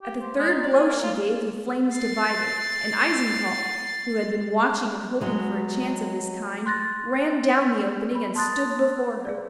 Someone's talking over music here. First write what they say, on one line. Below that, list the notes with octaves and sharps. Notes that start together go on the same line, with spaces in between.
At the third blow she gave the flames divided, and Eisenkopf, who had been watching and hoping for a chance of this kind, ran down the opening and stood before her.
G4
C5
G#3
D#4
D5
G#5
A#3
F4
A6 C7
F#3 G#3 B3
C6 F#6 A6 A#6
B4 B5
A5 C6 D#6 F#6 A6
G#4 D5